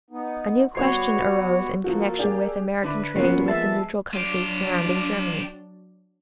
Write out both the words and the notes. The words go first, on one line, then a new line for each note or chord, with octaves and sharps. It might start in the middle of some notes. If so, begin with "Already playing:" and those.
A new question arose in connection with American trade with the neutral countries surrounding Germany.
B3 D#4
G3 B3 F#4 C#5 C7
F3 A#3 F#4 A4
D4 G4 G#4
D3 D4 E4 B4
C#3 F3 G#3 A#3 B3 C#4
G#3 E5 A5
F#3 D4 F4 G4